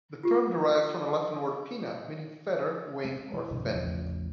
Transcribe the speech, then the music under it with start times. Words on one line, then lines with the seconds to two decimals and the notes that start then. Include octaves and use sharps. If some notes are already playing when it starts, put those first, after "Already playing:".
The term derives from the Latin word "pinna" meaning "feather", "wing", or "fin".
0.23 F4 G4
3.05 G#3
3.34 E3
3.51 F1 B1 G2 D3
3.72 A1 E2 C#3 F3